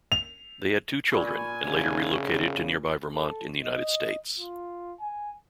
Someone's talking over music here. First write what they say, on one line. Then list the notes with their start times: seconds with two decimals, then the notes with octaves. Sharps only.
They had two children and later relocated to nearby Vermont in the United States.
0.12 F7
1.12 A#2 G#5 B5 C#6
1.65 F1 C#3
3.14 A4
3.64 D#5
4.39 F4
5.01 G#5